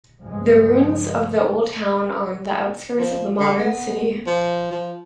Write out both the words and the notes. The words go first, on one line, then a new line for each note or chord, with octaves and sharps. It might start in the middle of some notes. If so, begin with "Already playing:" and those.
The ruins of the old town are on the outskirts of the modern city.
C#2 G2 F3 G#3
F3
D3
B3
F3
F3